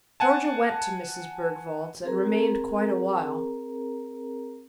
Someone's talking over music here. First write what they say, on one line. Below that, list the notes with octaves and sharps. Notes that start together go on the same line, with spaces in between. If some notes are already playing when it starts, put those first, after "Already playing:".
Georgia went to Mrs. Bergwald's, and remained quite a while.
F#5 G#5 A5
C4 G#4 A#4 A#5